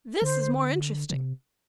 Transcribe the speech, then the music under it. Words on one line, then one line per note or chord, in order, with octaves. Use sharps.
This is more interesting.
D3 C5
D3
C3